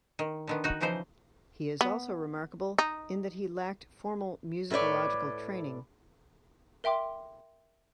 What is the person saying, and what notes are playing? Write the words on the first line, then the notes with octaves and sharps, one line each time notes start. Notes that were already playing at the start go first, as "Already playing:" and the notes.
He is also remarkable in that he lacked formal musicological training.
D#3
D3 D#3 B3
D#4 F#4
C#3 E3 F3 D#4 C5
B3
D#4
A2 A4 B4 C#5 D5
A#4 E5 G5 C6 D6